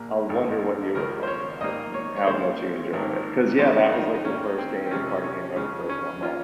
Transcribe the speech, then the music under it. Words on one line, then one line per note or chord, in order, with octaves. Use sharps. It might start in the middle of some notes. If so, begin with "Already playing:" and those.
I'll wonder what you were finding out and how much you enjoy it 'cause, yeah, that was like the first game card game I ever played with my mom.
Already playing: A#1 A#2 A#3
G#1 G2 G3
C#2 C#3 F3 A#4
C5
C#5
G#2 G3 A#3 D#5
C#5
C#5
D#2 C#3 G#3 C5
G#1 G#2 D#3 A#3
F2 D#3 G#3 C5
D#4
D#4
G#2 G3 A#3 C#4
C4
C4
F2 C3 F3 G#3 C#4
C#4
F2 C#3 F3 G#3 C#4
C#4
F3 A#3 F4